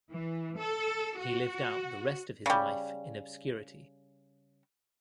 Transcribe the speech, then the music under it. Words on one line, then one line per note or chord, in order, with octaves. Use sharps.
He lived out the rest of his life in obscurity.
E3
A4
F#4
C#3 G3